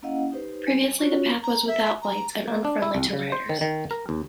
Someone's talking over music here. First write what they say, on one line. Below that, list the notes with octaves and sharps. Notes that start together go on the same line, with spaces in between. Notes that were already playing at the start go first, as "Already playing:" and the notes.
Previously the path was without lights and unfriendly to riders.
A#3 C#4 E4 D#5 F5 F#5
D#4 G4 B4 C5
G3 G#5
C#4 F4 F#4 C#5 C#6
A#5
E5
A#5
A#3
D4
E4
C2
C#3
C5
D#3
D#3
A#4
D#2